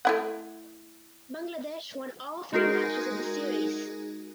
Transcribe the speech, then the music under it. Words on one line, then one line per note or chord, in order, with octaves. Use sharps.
Bangladesh won all three matches of the series.
A3 E4 F#5
G#3 D#4 F#4 G#4 A#4